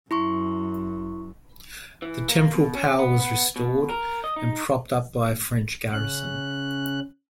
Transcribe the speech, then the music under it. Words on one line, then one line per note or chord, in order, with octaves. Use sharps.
The temporal power was restored and propped up by a French garrison.
F#2 E4 C6 C#6
E3
A#3
B2
C#4
B3
B3
B2
A#4
D#5
D#4
C#3 C#4 F#6